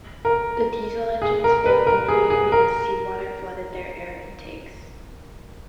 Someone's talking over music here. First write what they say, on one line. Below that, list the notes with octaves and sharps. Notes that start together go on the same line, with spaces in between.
The diesel engines failed immediately as seawater flooded their air intakes.
A#4
G#4
A#4
B4
A#4
G#4
G#4
A#4